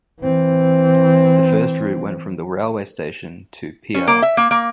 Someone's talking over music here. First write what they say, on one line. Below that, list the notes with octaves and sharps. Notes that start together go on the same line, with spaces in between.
The first route went from the railway station to pl.
E3 C4
C#4
A#3
E5
A#3
A#3